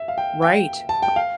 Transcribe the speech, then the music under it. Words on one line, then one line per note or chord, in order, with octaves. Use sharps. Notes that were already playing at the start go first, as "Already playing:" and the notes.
Right. R
Already playing: E5
F5
G5
G5
A5
G5
F5